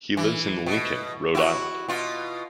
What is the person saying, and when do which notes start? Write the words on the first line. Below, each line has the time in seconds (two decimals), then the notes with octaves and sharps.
He lives in Lincoln, Rhode Island.
0.17 E3
0.66 B2
1.35 E4 F#4
1.89 B2 F4